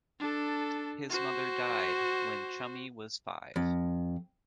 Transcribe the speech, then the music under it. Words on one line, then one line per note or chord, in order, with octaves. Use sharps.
His mother died when 'Chummy' was five.
D4 A4
F#4 C5
F2